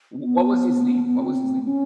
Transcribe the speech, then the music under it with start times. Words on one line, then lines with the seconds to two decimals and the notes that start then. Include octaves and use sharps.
W what was his name? What was his name?
0.23 B3
1.05 B3
1.17 C4
1.64 C#4